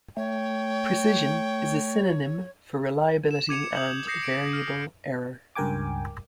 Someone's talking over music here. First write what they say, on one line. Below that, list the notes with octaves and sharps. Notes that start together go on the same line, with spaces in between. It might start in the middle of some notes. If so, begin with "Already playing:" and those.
"Precision" is a synonym for reliability and "variable error".
A3 C#5 G5
E7
D6 G#6 C#7 F7
D#6 G6 F#7
D#6 G6 A#6 C7 C#7
D7
F6
C#2 G2 A#4 G5 G#5 D6